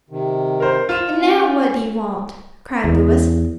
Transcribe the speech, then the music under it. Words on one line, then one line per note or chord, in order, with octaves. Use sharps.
"And now what do you want?" cried Louis.
C3 D#3
A#4 C5
F4 E7
C#4
E2